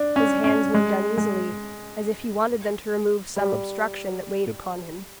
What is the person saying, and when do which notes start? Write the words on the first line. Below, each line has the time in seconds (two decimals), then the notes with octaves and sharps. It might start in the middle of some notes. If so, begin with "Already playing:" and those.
His hands moved uneasily, as if he wanted them to remove some obstruction that weighed upon him.
Already playing: D4
0.16 C#4
0.44 C#4
0.74 G#3
1.17 G#3
3.36 G3